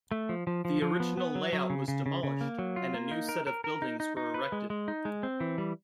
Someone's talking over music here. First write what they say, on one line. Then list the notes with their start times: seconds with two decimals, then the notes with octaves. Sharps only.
The original layout was demolished, and a new set of buildings were erected.
0.11 A3
0.29 F3
0.47 F3
0.65 F3
0.82 F3
1.00 B3
1.17 B3
1.35 F#3
1.53 F#3
1.70 C#3
1.88 C#3
2.06 C#3
2.23 C#3
2.41 A#3
2.59 F#3
2.76 F4
2.94 A#3
3.11 D#4
3.29 A#4
3.47 A#4
3.64 A#4
3.82 D#4
4.00 D#4
4.17 D#4
4.34 B4
4.52 G#3
4.70 G#3
4.88 D#4
5.05 G#3
5.23 C4
5.40 E3
5.58 G3